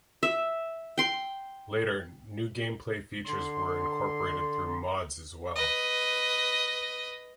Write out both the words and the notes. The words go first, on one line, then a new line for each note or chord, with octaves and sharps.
Later, new game play features were incorporated through mods as well.
E5
G5 C6
D3 C6
B4 D#5